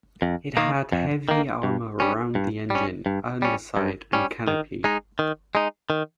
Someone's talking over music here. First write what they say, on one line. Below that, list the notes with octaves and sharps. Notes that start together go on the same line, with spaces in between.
It had heavy armour around the engine, underside and canopy.
F2
D#3 A#3
F2
D#3 A#3
G2
G3 C#4
G2
G3 C#4
G2
G3 C#4
G2
G3 C#4
D#3
G#3 D#4
D#3
G#3 D#4
D#3